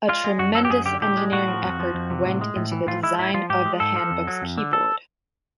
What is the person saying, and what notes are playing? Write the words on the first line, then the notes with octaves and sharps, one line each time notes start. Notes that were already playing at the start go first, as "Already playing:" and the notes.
A tremendous engineering effort went into the design of the HandBook's keyboard.
G#3 F4
G#3
F#2 F#4
F#3 A4
G4
F#2 G#4
D3 G4
A2 G4
G#3
A2 F#4
F3
F2
F3
F2
C3
A2
G#3
A2
E3
A2 F4
G#3 E4
A2 E4
F3 F4
G#2 G4
G#3
G#2 A4
F3
F2
F#3
F2
D3
A4